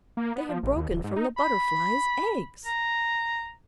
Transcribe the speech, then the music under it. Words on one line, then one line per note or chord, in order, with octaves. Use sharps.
They had broken from the Butterfly's eggs!
A#3
B3
F3
A1
D#2
D1
G#2
D#4
B5
A#5